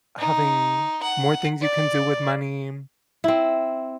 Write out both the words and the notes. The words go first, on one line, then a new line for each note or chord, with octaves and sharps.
having more things you can do with money,
D#4
F#5
D5
C4 E4